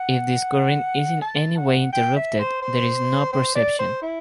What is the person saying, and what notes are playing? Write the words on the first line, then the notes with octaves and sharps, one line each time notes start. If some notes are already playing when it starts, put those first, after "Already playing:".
If this current is in any way interrupted, there is no perception.
Already playing: F#5
A5
F#5
G5
E5
C5
C5
C5
D5
C5
E4